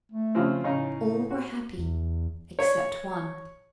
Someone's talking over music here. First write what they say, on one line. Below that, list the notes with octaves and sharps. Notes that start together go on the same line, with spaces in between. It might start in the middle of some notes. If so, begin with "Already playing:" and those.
All were happy except one.
A3
C#3 F3 C4
A2 C#3 D#4
F#4
E2
C#5